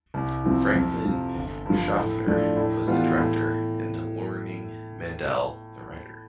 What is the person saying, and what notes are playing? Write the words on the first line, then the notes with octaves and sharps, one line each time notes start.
Franklin Schaffner was the director and Loring Mandel the writer.
C2
C3 F3 C4 E4
F2
C3 F3
G1
G2 F3
A2
F3 A3 D4
A2
E3 G3 B3 F4
A2